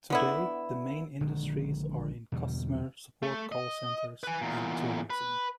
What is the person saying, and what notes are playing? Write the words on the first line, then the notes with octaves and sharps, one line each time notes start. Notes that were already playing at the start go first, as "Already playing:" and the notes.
Today, the main industries are in customer support call centres and tourism.
D3 B3 E4
A#1 D3 D#3 G#3
E2 B2 D3 G3
A3
D#5
B4 G#5
E2 A#2
B4